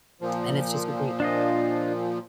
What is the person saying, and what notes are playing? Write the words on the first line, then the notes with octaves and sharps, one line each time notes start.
and it's just a great
A#2 F3
D4 F4 D#5